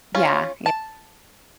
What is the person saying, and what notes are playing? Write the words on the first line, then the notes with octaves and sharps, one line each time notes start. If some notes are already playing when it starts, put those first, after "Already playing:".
Yeah, ye
C#4 F4
A5